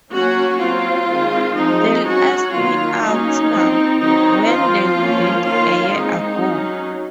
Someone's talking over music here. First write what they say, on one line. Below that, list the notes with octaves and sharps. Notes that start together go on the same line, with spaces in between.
They'll ask me out now, when they wouldn't a year ago.
F#3 A#3 C#4 F#4
F#3 C4 F4
D#3 G#3 C4
F3 G#3 C4 D#4
F#3 C#4 F#4
D#3 F#3 A#3 F4
F#3 A#3 C#4 D#4
F3 C4
D#3 F#3 C4 D#4
F3 C4 F4
F3 A#3 C#4
D#3 A#3 C#4 F4
D#3 G#3 C4 D#4
F#3 C#4